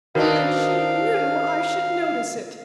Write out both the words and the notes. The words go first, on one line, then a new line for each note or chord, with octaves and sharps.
And she knew I should notice it.
D#3 C4 D4 D#4 F#4 A#4 B4 F5